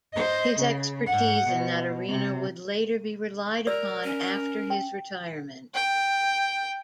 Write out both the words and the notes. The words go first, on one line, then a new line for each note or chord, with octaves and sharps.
His expertise in that arena would later be relied upon after his retirement.
C5 D#5
C#3
G#2 F#5
B2
C3
A#4 D5 E6
C#4
G5
G5